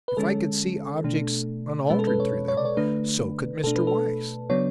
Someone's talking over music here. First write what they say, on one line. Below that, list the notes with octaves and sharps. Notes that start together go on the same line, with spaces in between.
If I could see objects unaltered through them, so could Mr. Weiss.
B4
D3 G#3 C#4 A4
B2 A3 D4
B2 G#3 C#4 B4
A4
B4
C#5
C#5
D5
C#5
D3 A3 D4 B4
B2 A3 D4 A4
B4
A4
C#3 F#3 B3 D4 C#5